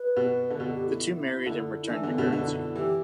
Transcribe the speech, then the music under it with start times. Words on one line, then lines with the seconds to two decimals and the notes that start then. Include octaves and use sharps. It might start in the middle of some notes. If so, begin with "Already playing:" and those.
The two married and returned to Guernsey.
Already playing: B4
0.16 B2
0.50 D3
0.60 B2 A4
0.74 G4
0.88 E4
1.46 D3
1.82 E4
1.89 E3 D4
2.03 D3 B3
2.18 B2 D4
2.32 D3 D4
2.47 E4
2.61 E4
2.75 E3 G4